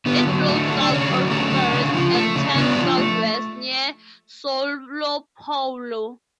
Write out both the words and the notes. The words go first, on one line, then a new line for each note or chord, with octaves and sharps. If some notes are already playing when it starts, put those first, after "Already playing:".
It flows south at first, and turns southwest near Soulopoulo.
D3 B3
F#3
A3
D3
D4
D3 C#4
F#3
A3
D3
C#3
F3
A3
C#3
C#3 B3 D4
F3
A3